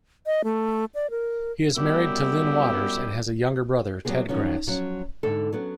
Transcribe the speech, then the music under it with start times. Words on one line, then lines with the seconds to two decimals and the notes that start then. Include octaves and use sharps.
He is married to Lynne Waters and has a younger brother, Ted Grass.
0.26 D#5
0.44 A3
0.95 D5
1.10 A#4
1.76 F#2 G3 B3 E4 G4
4.05 F#3 G3 A3 B3 C4 G#4
4.29 D#3 F3 F#3 C#4
4.67 F3 F#3 C#4
5.23 G#2 D3 A4
5.52 F#3 B3 C#4